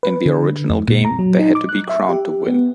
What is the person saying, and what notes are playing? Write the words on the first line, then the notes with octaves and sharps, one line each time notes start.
In the original game they had to be crowned to win.
B4
D3
F2
A#2
A#5
F#3
D#4
D6
F#6
E5
G4
B3